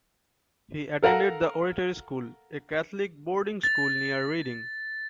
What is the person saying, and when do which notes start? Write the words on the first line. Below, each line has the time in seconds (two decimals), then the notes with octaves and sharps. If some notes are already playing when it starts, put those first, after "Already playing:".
He attended The Oratory School, a Catholic boarding school near Reading.
1.03 A4 A#4 F5 F#5 A#5
3.63 A6